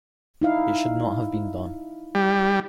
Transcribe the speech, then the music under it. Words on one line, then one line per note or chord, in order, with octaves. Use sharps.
It should not have been done.
D#4 E4 F5
G3